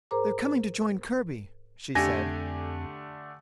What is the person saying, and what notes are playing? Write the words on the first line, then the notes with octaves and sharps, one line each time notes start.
"They're coming to join Kirby," she said.
G#2 G#4 A#4 C5 A#5 D6
F2 D3 A3 D4 G4 G#5 A#6